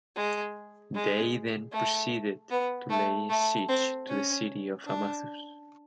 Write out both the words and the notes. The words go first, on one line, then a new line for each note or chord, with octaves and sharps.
They then proceeded to lay siege to the city of Amathus.
G#3
G#3
A3
B3
A3
A3
C4
C#4
D4